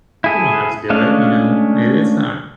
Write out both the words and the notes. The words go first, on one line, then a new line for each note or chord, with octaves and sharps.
We don't have to do it." You know? It, it's not,
E4 G#4 A4
G#3 A3 C#4 D4 F5